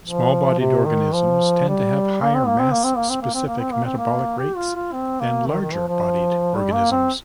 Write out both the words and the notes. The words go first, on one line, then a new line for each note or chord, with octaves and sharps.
Small-bodied organisms tend to have higher mass-specific metabolic rates than larger-bodied organisms.
F3
C3
D#3
F3
G3
A#3
C4
A#3
C4
A#3
C4
A#3
C4
A#3
C4
A#3
C4
A#3
C4
A#3
G4
F4
F4
C4
A#3
D#3
D#3
F3
F3
G3
A#3
C4